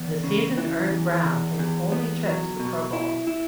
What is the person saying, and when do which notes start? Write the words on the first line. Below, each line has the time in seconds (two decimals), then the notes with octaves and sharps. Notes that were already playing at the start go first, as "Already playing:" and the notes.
The season earned Brown his only trip to the Pro Bowl.
Already playing: E2 B3
0.24 C#3
0.57 E3
0.91 E2
1.25 E2
1.59 E2
1.92 B3
2.26 F#3
2.60 B2
2.93 E4
3.27 E4